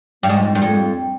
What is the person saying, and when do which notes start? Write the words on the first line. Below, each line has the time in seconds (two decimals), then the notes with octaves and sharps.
Yeah, mhm.
0.23 G2
0.29 G#2
0.55 G2
0.62 F2